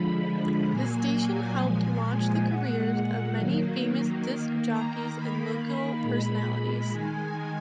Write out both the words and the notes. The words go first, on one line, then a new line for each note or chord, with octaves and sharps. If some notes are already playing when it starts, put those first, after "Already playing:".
The station helped launch the careers of many famous disc jockeys and local personalities.
Already playing: D3 F3 G#3 B5
A#2 F#3 A#3 G#5
A#2 F3 G#3
A#2 G#3 F#5
F#5
D#3 F#3 A#3
D#3 A#3
A#5
D#3 A#3 B5
A#2 G#3 B5
D#3 G#3 G#5